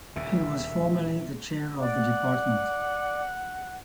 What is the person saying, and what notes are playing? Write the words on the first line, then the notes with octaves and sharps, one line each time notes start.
She was formerly the chair of the department.
D#1 D2 C#3 E5
D5 F#5